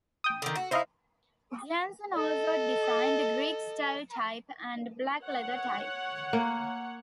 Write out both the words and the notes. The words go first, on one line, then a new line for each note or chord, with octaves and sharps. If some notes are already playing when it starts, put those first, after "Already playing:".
Jenson also designed Greek-style type and black-letter type.
G5 D#6
D3 D#3
F#4
D#4 E4 C5 D#5 F5
A4 D#5
C#5 F#5
A#3